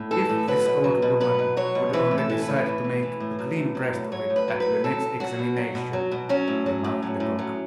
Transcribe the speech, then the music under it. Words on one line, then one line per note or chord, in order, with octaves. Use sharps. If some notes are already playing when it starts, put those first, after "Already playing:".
"If this old woman would only decide to make a clean breast of it at her next examination!" remarked Lecoq.
Already playing: A2
E3 A4
A2
F#3 B4
B2
F#3
B2
F#3 B4
B2
F#3 C#5
B2
E3 B4
A2
A4
E3
B4
A2
E3
A2
E3
A2
F#3
A2
F#3
A2
F#3 C#5
A2
B4
F#3
B4
A2
F#3 A4
B2
F#3 F#4
B2
F#3
B2
F#3
B2
F#3 C#4
A2
F#3
A2
F#3
A2
F#3